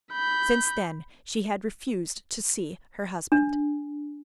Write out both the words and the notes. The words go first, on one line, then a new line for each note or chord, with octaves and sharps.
Since then she had refused to see her husband.
B5 G6
D4